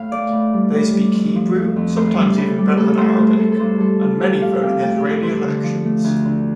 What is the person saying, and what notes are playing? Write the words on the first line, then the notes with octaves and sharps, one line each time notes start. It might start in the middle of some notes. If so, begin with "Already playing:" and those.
They speak Hebrew, sometimes even better than Arabic, and many vote in Israeli elections.
Already playing: A2 F5
A3 D5
A2
G3
A2
G3
F2
F3
A3
F2
A2 C5
G3
A2 A4
G3
A2 A4
A4
A3 C5
A2 C5
A3 A4
A4
G2 C5
G3 A4
G2 F4
G3 G4
F2 F5
C3 G5
A3 G5
G4
F2
A4
G2 C5
D3
F3
A3
D2
D3